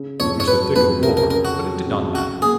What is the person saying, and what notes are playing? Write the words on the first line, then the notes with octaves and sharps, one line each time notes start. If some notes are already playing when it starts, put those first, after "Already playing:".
It was the thick of war. But it did not matter.
Already playing: C#3
F2 C#5
C#5
F#3 B4
F2 B4
C#3 A#4
A#4
C#4 A#4
F#4
F#3
C#3
F#2 F#4
A#3 G#4